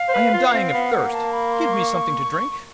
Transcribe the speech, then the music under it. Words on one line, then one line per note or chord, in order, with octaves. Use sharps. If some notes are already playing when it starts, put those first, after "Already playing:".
'I am dying of thirst; give me something to drink.'
Already playing: F5
C5
B4
F4
B3
C4
B3
A#3 F#5
A5
B5
C6
C#6